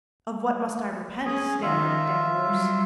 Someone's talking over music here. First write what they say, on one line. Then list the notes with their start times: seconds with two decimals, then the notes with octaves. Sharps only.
"Of what must I repent?" stammered Danglars.
1.26 C#4 G#4
1.62 D#3 F4 E5
2.46 F#3 G3